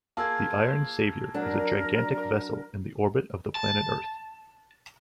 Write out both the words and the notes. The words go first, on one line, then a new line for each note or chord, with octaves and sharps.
The Iron Savior is a gigantic vessel in the orbit of the planet Earth.
A#3 F4 G#4 A5 E6 G#6
F#3 D4 A#4
A5